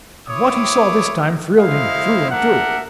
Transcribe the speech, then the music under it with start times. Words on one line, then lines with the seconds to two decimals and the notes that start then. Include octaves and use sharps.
And what he saw this time thrilled him through and through.
0.27 E4 C#5 D6 D#6
1.58 G#3 E4 C5 D#5 F5
2.30 D4 A#4 E5 F#5